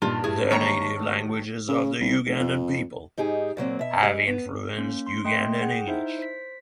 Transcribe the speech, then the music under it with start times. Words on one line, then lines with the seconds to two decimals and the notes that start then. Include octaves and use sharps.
The native languages of the Ugandan people have influenced Ugandan English.
0.02 G2 A#2 D4 D#4 F4
0.24 A2 E4 F4 G#4
0.51 D3 D#3 A#3 C#5 E5 A#5
0.99 A3 F#4
1.68 C#3
2.01 C2
2.26 F1
2.40 F2
3.17 G#2 D#4 G4 G#4
3.57 A#2 F#3 A#3 C4
3.79 B2 E5
4.02 G3 G#3
4.27 B3
4.78 A#3 C#4
5.07 C6
5.25 A3 D#5 G5 C6
5.60 G#4 F#5 G5
5.87 D#4 E4 C5 E5 G6
6.19 C5 B6